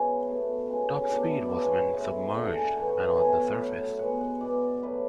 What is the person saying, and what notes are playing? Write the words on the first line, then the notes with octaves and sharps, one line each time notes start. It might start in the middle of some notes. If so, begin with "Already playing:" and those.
Top speed was when submerged, and on the surface.
Already playing: C#3 G#3 B3 E4 F#4 G#4
B2 A3
C#3 G#3 B3
C#4
B2 A3 D4
D4
A4 B4
D5
C#3 G#3 B3 C#5
B4
C#5
A2 G#3 B3 E5
D3 A3 F#5
F#5
G#5
F#5
A2 E3 A3
C#5
B4
B2 A3 G#5
A2 F#3 A3
B2 G#3 B3 F#5
F#5
B2 G#3 B3 D5
D5
A2 F#3 A3 B4